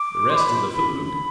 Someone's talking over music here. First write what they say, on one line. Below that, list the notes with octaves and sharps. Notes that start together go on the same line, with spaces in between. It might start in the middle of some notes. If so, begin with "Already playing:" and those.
"The rest of the food?"
Already playing: D6
C6
B5